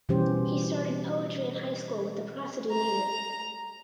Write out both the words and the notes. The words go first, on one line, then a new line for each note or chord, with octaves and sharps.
He started poetry in high school with the prosody meter.
B2 E3 G3 C#4 G4 C5
A#5